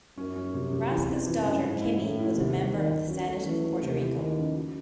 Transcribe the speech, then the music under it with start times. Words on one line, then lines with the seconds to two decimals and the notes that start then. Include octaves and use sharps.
Raschke's daughter, Kimmey, was a member of the Senate of Puerto Rico.
0.18 F#2 C#4
0.36 C#4
0.54 C3
0.73 C3
0.90 E2 E3
1.09 C4
1.27 F#2 E3
1.45 C#3
1.64 G#2 E4
1.82 E4
2.00 F#2 A2
2.19 E4
2.36 D#2 C3
2.54 D#2
2.73 D#2 D#3
2.91 D#2
3.09 F#3 C#4
3.28 A3
3.46 E3 C#4
3.64 A3
3.83 D#2 C3
4.01 E3
4.19 D#2 D#3
4.38 C#3
4.55 F#3